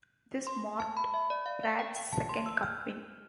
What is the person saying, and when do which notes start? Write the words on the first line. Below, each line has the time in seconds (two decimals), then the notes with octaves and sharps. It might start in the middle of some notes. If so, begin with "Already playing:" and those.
This marked Pratt's second Cup win.
0.47 C6
0.80 A5
0.97 B5
1.14 E5
1.30 D5
1.46 F5
1.63 F5
1.79 G5
1.96 G5
2.13 A5
2.29 C6
2.46 E6
2.63 F6